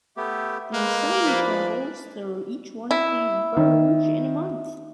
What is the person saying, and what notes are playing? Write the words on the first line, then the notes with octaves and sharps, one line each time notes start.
The sun travels through each one of these Burj in one month.
A3 B3 G4
G#3 A#3 B4
F3 B4 D5 B5
E4
D#3